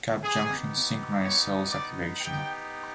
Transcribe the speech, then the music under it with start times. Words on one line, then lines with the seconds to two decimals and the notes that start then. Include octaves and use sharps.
Gap junctions synchronize cell activation.
0.23 B3 D#4 G4 G#4
1.22 C#5
1.71 D5
2.20 B3 D#4 G4 G5